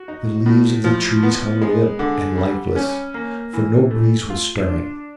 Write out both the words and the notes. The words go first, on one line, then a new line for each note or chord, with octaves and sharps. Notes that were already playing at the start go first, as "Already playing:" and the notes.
The leaves of the trees hung limp and lifeless, for no breeze was stirring.
Already playing: F#4
D#4
A2
F3
B3
G#3
D3
G3
C#4
A#3
E3
A3
F4
D4